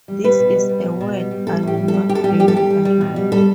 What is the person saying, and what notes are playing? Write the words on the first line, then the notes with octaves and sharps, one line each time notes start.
This is a word I will not bandy around.
G3
G3 B4
B2
G3
G3
B2
B2
G3
G3
G3 A4
A2 G4
G3
A4
G3
G3 G4
A4
G3 G4
G3 G4
A4
G3 G4
G3
G3
B2
G3
G3 A4